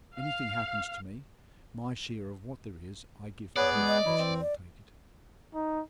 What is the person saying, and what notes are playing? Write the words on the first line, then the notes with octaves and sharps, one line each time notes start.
If anything happens to me my share of what there is I give to her, if she will take it.
F5
B3 G#4 B4 C#5 D5
G#3
D#5
E3 F#3 E4
C4
D5
D#4